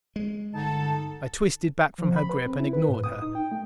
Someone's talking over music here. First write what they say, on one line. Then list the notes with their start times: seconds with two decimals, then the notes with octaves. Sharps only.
I twisted back from her grip and ignored her.
0.16 G#3
0.53 G1 D3 D#4 A4 A5
1.98 F3
2.16 B5
2.30 B4
2.46 C4
2.60 E4
2.73 B4
2.89 A2
3.04 D#6
3.22 D#4
3.35 G5
3.52 A3